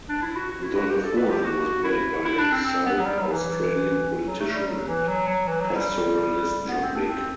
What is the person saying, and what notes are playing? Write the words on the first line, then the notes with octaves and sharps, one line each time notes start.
Don Juan was bred by South Australian politician and pastoralist John Baker.
D4
E4
F#4
F#4
E4
F#4
G4
A4
B4
G4
F#4
E4
E4
D4
C4
C4
B3
F#3
G3
F#3
E3
F#3
A3
G3
F#3
E3
F#3
F#3
E3
F#3
G3
B3
C4
D4
C4